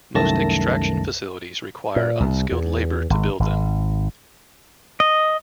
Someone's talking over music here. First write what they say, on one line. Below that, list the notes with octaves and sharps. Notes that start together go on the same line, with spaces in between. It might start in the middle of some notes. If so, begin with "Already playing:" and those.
Most extraction facilities require unskilled labor to build them.
C2 F#2 D#3 A3 A5 A#6
A#2
C2
E2
G#1
G#1
D#5